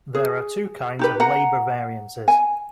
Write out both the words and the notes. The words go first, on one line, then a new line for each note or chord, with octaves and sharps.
There are two kinds of labour variances.
G#4
D#4 G4 B4
F#5 A#5
G#5